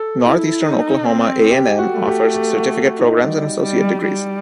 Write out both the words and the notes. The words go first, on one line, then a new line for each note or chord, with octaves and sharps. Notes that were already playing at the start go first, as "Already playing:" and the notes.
Northeastern Oklahoma A and M offers certificate programs and associate degrees.
Already playing: A4
E4
D#4
C4
G4
F#4
A3
G4
G4
F#4
D#4
G3
G3
G3